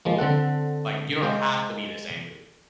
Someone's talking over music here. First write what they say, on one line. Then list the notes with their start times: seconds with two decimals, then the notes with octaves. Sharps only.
Like, you don't have to be this angry."
0.05 F3 G#3 A#3
0.18 D3 C4 A4 F#5
1.23 G#3 C5 F5 G5